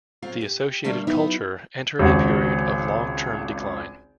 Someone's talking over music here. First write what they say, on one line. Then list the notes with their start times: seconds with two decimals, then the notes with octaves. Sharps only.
The associated culture entered a period of long-term decline.
0.22 F#3 C4 F4
0.41 G4
0.84 D3 G3 A3 A#3
1.07 F#3 B3 D#4 E4
1.99 G#1 C#2 F#4